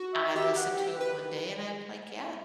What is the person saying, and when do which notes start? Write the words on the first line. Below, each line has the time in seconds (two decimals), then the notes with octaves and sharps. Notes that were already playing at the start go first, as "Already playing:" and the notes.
I listened to it one day and I'm like, "Yeah,
Already playing: F#4
0.14 E5
0.35 G4 E5
0.56 F#5
0.79 G4
1.01 B4